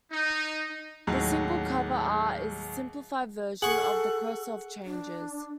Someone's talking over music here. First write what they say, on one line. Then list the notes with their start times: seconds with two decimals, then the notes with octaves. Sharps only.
The single cover art is a simplified version of "The Cross of Changes".
0.10 D#4
1.07 D#2 A2 F#3 G#3
3.62 G#4 A4 F#5 C#6
4.85 D4